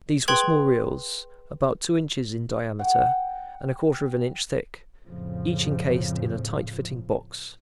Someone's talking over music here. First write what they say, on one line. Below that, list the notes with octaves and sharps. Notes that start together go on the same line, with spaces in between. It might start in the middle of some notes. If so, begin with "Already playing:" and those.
These were small reels, about two inches in diameter and a quarter of an inch thick, each incased in a tight-fitting box.
G#4 B4 G5 C6 G#6 F#7
F#5 G5
F2 A2 C#3 F3